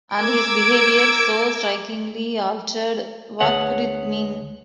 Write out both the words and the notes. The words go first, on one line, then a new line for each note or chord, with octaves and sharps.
And his behaviour, so strikingly altered — what could it mean?
A#4 D6 E6 G#6 D7
D2 G#4 B4 C#5 F#5